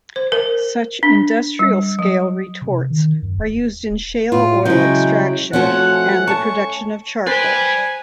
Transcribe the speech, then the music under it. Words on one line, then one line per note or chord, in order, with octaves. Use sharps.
Such industrial-scale retorts are used in shale oil extraction and the production of charcoal.
C5
A#4
D4
G3
F#3
C3
D#3
F#2
D#1
A2 F4
C#3 F#3 G#3 E4 G5
F3 A3 C4 C#4 F#4 F#5
A5 C#6
B4 C5 D5 G5 G#5